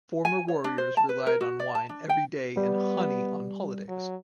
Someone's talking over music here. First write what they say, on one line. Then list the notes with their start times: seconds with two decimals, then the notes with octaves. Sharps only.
Former warriors relied on wine every day and honey on holidays.
0.25 G#5
0.48 C#5
0.64 D4
0.78 C5
0.97 A5
1.09 B4
1.27 A#4
1.41 F#4
1.60 D5
1.75 A5
1.89 D4
2.09 G5
2.57 G3 B3
3.88 F#3